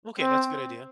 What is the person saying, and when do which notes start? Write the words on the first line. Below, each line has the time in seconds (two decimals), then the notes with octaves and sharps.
Okay, that's a good idea.
0.20 C4